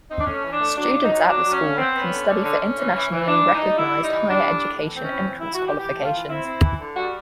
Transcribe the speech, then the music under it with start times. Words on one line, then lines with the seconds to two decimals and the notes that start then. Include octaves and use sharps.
Students at the school can study for internationally recognised higher education entrance qualifications.
0.09 C4 D#4
0.19 D4
0.26 A3 C#4
0.43 E3
0.51 D4
0.60 A3
0.77 F#3 D4
0.93 C#3
1.02 D#4
1.10 F#3
1.26 F#3 D4
1.43 F#3
1.52 C#4
1.61 C#3
1.77 B3 C4
1.94 B3
2.02 C#4
2.10 D3
2.28 D3
2.44 D3
2.60 D3
2.78 E3
2.95 E3
3.11 E3
3.27 E3 D4
3.44 E3
3.53 D#4
3.61 G3
3.78 G3 E4
3.95 G3
4.03 D#4
4.11 E3
4.28 G3 D4
4.45 A2
4.61 A2
4.78 E3
4.95 C4
5.03 C#4
5.12 E3
5.28 E3
5.41 E3 E4
5.53 F#4
5.62 E3 G4
5.78 E3 G4
5.95 A3
6.03 F4
6.12 E3
6.28 C4 E4
6.45 C4
6.62 E3
6.79 D3
6.96 G3 F#4